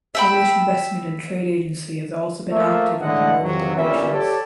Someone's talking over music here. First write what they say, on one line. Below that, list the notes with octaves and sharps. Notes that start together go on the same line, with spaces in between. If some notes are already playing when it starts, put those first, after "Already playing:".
Polish Investment and Trade Agency has also been active on promoting the relations.
E5 G5 B5
F3 A3 A#3 E5
A2 D3 G#3 A3 D#5 F#5
F2 C3 F#3
G1 A#2 E3 G3 C#4 E5
G4 A4 C#5 D5